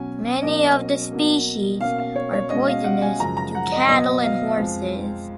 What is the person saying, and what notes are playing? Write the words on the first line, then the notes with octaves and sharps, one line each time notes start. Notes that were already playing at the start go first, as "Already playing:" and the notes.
Many of the species are poisonous to cattle and horses.
Already playing: B2 F#3 C#4 G#5
B2 F#3 A#3 C#4 D#5
B2 F#3 A#3
B2 A#3 C#4 F5
F5
C#5
C#5
B2 G#3 C#4 D#5
F5
F#5
G#5
F#2 C#3 F3 G#3 A#5
A#5
F#5
D#5
B2 F#3 B3 D#5
F5
F2 F3 G#3